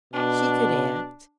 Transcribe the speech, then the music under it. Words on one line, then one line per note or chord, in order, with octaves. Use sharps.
She could act.
B2 D4